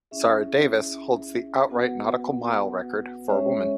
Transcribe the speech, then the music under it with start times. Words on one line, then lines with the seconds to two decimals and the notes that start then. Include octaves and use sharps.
Zara Davis holds the outright nautical mile record for a woman.
0.11 C#4 E4 G#4 E5
1.70 B3 F#4 B4 F#5
3.29 G#3 C#4 G#4 C#5 E5